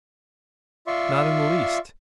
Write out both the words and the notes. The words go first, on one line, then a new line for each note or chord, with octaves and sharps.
"Not in the least."
F4 D5 E5 C6 C#6